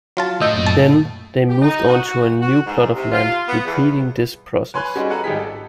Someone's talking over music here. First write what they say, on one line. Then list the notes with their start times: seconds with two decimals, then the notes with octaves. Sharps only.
Then, they moved on to a new plot of land, repeating this process.
0.17 F#3 F4 A5
0.41 A2 A3 D#5 E6 G6
0.54 F#2 A#2
0.66 A5
1.48 G4
1.61 D#4
1.88 F#4
2.40 F#4
2.65 G#2
2.95 C3
3.11 F4
3.47 B3
3.65 E2
4.74 B4 C#5 G#5 C6 C#6 F#6
4.95 G3 C#4 D#4 F#4 G#4
5.10 G#4 A4 B4 F#5 G#5 A#5
5.24 G#1 G3 D#4 G4 G#4 B6
5.39 A4